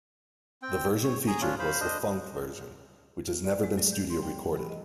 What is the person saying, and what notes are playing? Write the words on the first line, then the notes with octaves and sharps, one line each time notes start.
The version featured was the "funk" version, which has never been studio-recorded.
C4 G5
C#5
G#4 G#5 A#5
C#4 D4 F4 C#5
C5 F5 B5
D4 C5 D#5
F4
D5
G#3
F#3
G6
C6
G5
E3
B5
D#5